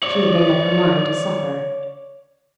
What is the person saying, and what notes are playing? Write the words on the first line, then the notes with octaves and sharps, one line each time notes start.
She had made up her mind to suffer.
C#5 D5